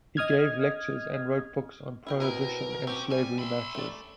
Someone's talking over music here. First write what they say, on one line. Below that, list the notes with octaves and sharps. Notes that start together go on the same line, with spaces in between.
He gave lectures and wrote books on prohibition and slavery matters.
D#5 D#6 F6 G#6
B2 E4 A#4 G5
C4 E4 A#4 D#5
C4 C#4 G4
G3 G#5
E5 B5 C6
A3 D5